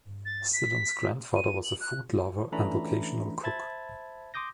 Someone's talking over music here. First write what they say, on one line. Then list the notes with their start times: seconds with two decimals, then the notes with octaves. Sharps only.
Cidon's grandfather was a food lover and occasional cook.
0.25 A6
0.53 B6
1.36 D#7
1.64 F#7
1.80 F#6
2.52 E3 A3 C#4 D4 A#5 B5
3.43 C5 E5 A5 B5 G#6 A6
4.34 C6 D6 D#6 G6 A#6